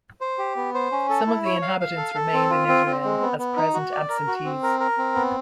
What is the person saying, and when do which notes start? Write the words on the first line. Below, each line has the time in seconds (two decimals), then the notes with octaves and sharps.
Some of the inhabitants remained in Israel as present absentees.
0.21 C5
0.38 G4
0.56 B3
0.74 C5
0.92 C#4
1.09 A4
1.27 E4
1.45 C#5
1.62 F5
1.80 F5
1.97 A4
2.15 A4
2.33 C4
2.50 F4
2.68 C4
2.86 C4
3.04 G#3
3.21 B3
3.39 B3
3.57 D#4
3.74 F#4
3.92 D5
4.09 A#4
4.27 F#4
4.45 C4
4.63 A#4
4.80 A#4
4.98 C4
5.15 B3